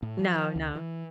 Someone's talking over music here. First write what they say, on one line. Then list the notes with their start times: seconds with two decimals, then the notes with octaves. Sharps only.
No, no.
0.03 A2
0.19 F3
0.56 C#2
0.76 E3